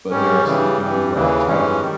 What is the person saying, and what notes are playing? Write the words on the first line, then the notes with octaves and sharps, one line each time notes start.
but there are still people who are entitled,
G#2 G3 C#4
C#3 E3 G3
G2 E3 G3
D#2 C#3 E3
G2 E3 G#3 C#4
D#3 G3